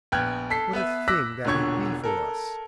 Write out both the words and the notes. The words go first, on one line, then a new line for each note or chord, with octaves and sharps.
'What a thing that would be for us!'
A#1 B3 G5 F6 F#6 G#6
A4 B6 C7
B3 B4 E5
D6 E6 F#6 A#6 B6
E1 A#2 D3 C#5 C#6 G#6
A4 A#4